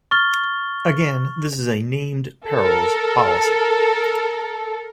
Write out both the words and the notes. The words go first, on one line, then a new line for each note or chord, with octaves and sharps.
Again, this is a "named perils" policy.
C#6 F6 A6 G7
A4 A#4